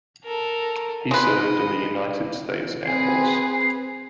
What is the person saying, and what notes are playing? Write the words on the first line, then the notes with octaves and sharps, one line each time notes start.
He served in the United States Air Force.
A4 A#4
G#3 B4 D#5
C4 G#4 B4 C7